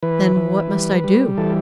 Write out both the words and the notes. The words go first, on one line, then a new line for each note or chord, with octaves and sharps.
'Then what must I do?'
E3 B4
E3
G3
G3
E3 A4